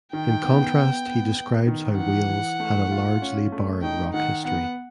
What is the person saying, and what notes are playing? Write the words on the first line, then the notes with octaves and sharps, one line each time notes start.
In contrast he describes how Wales had "a largely barren rock history".
D#3 G5
B3
B3
B3
B3
D#3
E3 F#5
E3
A3
F4
C#4
A3
D#4 G5
D#3 F#5
B3 F#5